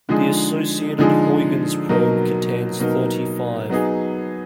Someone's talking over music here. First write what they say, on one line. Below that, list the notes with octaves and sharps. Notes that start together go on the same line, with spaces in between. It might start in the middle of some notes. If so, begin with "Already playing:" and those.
The associated Huygens probe contains thirty-five.
D3 F3 G#3 D#4 G#4
D3 F3 G#3 D#4 G#4
B2 F#3 A#3 D#4 A#4
B2 F#3 A#3 D#4 A#4
F#3 B3 D#4 G#4